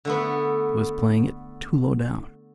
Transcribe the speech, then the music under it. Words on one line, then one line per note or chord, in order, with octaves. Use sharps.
It was playing it too low down.
D3 A3 B3